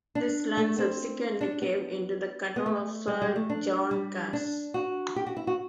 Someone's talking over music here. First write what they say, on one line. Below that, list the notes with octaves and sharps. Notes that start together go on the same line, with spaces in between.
This land subsequently came into the control of Sir John Cass.
D4
A3
C4
D4
B3
B3
A3
G3
G3
A3
D4
G3
D4
F#4
G4
F#4
E4
F#4